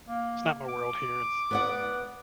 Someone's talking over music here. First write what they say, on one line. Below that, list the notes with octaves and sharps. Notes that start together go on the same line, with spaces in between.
it's not my world here, and
A#3
D6
B3 D5 F#5